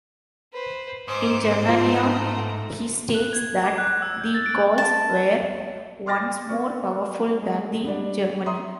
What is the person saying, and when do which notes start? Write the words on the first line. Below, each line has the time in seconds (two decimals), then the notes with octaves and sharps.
In "Germania" he states that the Gauls were once more powerful than the Germani.
0.53 B4 C5
1.08 G#2 C5 D6
1.68 A3 F4 A#5
3.15 F#6
3.33 G#6
3.64 D6
3.78 F#6
4.02 E6
4.21 G6
4.35 A6
4.46 D7
4.78 A5
6.06 C6 D6 F6 A6 A#6
6.49 A#3 B3 D5 C#6
7.42 G#3
7.85 G3 D4 D5
8.46 C#5 E5 A#5 C6 D#6